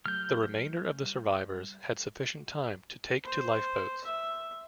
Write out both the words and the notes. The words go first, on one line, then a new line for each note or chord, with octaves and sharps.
The remainder of the survivors had sufficient time to take to lifeboats.
F#3 A3 F6 G6
G3
C5
E5